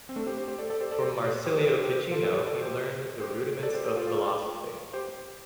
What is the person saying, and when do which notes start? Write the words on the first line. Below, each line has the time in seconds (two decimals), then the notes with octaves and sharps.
From Marsilio Ficino he learned the rudiments of philosophy.
0.09 C4
0.16 A3 D4
0.26 G4 C5
0.37 G4 C5
0.48 G4 C5
0.58 A4 D5
0.70 A4 D5
0.81 G4 C5
0.91 A4 D5
1.02 G4 C5
1.17 D5
1.24 G4 C5
1.46 G4 C5
1.56 A4 D5
1.67 G4 C5
1.79 G4 C5
1.89 G4 C5
2.11 F4 A4
2.25 A4
2.33 G4 C5
2.47 A4 D5
2.61 G4 C5
3.20 G4 C5
3.63 A4 D5
3.74 G4 C5
3.85 G4 C5
3.96 F4 A4
4.93 G4 C5